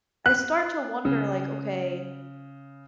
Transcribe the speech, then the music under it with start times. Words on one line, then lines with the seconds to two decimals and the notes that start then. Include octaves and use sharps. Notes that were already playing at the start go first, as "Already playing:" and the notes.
I start to wonder like, “Okay“
0.26 F#6
1.05 C#3